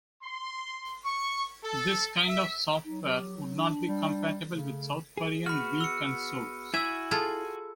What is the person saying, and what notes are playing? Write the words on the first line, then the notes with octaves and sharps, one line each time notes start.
This kind of software would not be compatible with South Korean Wii consoles.
C6
C#6
A4
E5
F#3 D#4
G4
D4
G3
C#3 A3
G#4
B3 F#4 B5 F6
E6 C#7
E4 F#4 E5 G#5 E6 G#6
F4 G#4 A4 G#6